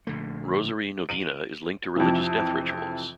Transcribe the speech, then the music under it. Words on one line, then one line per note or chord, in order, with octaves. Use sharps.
Rosary Novena is linked to religious death rituals.
A#1 D3 A3
D7 D#7 F#7
F2 C3 E3